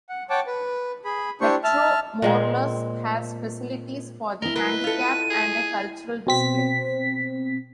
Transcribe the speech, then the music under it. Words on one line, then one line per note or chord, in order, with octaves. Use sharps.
Metro Morelos has facilities for the handicapped, and a cultural display.
F#5
C#5 F#5 G5 A5 D6
B4
G#4 B5
D4 E4 G4 C5 C#6
E5 A5 F6
A#2 G#3 C4
E4 A#4 D#5 G7
F#3 A#4 B4
F4 A4
D#7
G#4
B2 C4 B6